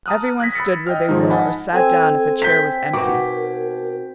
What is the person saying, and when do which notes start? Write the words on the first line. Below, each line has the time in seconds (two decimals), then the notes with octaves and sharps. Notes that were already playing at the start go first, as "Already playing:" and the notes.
Every one stood where they were, or sat down if a chair was empty.
0.06 A5 A#5 D#6 F6 F#6
0.40 F#6 G#6 A#6 B6
0.55 B5 E6 A6 C#7
0.87 D#5 G5 F6
1.09 G#2 D#3 F3 G#3 D#4
1.30 D#4 D#5 F#5 G#5 A5 B5
1.73 C4 A4 G#5 E6
2.42 G6 B6
2.93 B2 D#4 F#4 A#4 D6